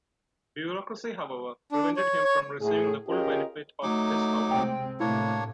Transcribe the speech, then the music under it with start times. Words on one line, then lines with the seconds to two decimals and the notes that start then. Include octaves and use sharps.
Bureaucracy however prevented him from receiving the full benefit of this award.
1.72 D4
1.97 C#5
2.24 C#5
2.61 A2 G#4
3.07 C#4 F4 G4 G#4 A#4 D#5
3.83 F#3 A3 D#4 D6
4.51 C3 G#3 C4 G5
5.00 A2 C3 A3 A#3 D4 E4 C#5